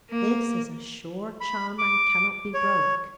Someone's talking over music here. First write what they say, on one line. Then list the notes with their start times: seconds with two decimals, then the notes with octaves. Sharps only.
This is a sure charm, and cannot be broke.'
0.10 A#3
1.41 B5
1.78 D6
2.54 C#5